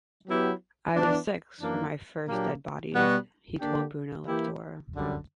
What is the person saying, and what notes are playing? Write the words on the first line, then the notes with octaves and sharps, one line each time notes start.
"I was six for my first dead bodies," he told Bruno Latour.
F#3 B3 E4 G4
E3 B3 D4
F#2 E3 A#3 D4
A#2 F#3 A#3 D4 G4
B2 G3 B3 F#4
D3 A#3 D4 G4
E3 A#3 E4 G4
F#2 D3 G3